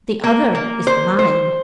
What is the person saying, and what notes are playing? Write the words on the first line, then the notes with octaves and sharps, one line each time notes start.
The other is mine.
A#3
A#3
C5
C5